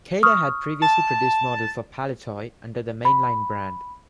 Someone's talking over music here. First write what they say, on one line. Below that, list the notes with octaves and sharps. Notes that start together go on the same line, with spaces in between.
Kader had previously produced models for Palitoy under the 'Mainline' brand.
C#6 D#6 F6
A5
B5